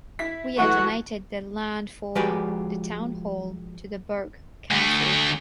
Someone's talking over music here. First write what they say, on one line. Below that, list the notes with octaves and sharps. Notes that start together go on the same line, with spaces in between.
Weir donated the land for the town hall to the burgh council.
E4 B6
E3 F#3 A3 F#4 F#5
F3 G#3 F#4 G4 B4 D5
D2 A3